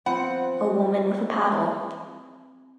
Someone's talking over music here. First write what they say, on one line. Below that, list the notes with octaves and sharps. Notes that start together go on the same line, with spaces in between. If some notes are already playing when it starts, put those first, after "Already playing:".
A woman with a paddle.
F3 C4 B4 F#5 B5